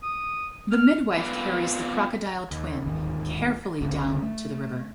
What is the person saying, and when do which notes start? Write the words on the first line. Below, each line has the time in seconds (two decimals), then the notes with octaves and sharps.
The midwife carries the crocodile twin carefully down to the river.
0.03 D#6
0.71 F6
1.17 B3 C4 F4 D5
2.51 D#2
2.82 D1 G#1 D#2 D#3
3.81 G1 D2 C#3 D4
4.22 A3